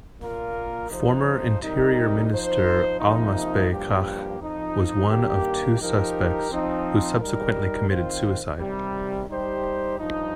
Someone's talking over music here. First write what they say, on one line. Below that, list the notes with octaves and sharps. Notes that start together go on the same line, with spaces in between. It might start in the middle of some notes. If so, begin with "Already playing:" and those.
Former Interior Minister Almasbei Kchach was one of two suspects who subsequently committed suicide.
A#2 A#3 F4 A#4
F2 C3 F3 D#4 C5
C3 G3 D#4 A#4
F3 D#4 C5
C3 F3 A#3 D#4
G2 F3 A#3 G4
F2 F3 D#4
G2 D#3 A#3 G4
F3 D#4 G4 A#4
F3 C4 D#4
G3 D#4 A#4
D#3 C4 F4 C5
C3 D#3 G3
G3 D#4 G4 C5
G2 F3 D#4